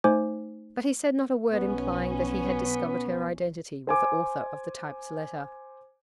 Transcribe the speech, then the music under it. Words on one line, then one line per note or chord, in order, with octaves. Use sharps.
But he said not a word implying that he had discovered her identity with the author of the typed letter.
A3 D#4 C5 G#5 D6
B1 B3 C#4
C5 G#5 D6